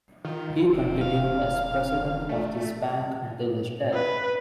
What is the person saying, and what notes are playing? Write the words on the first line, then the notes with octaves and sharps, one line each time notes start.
He continued as President of this bank until his death.
D#3 F4
E1 C4
F5
A3
B4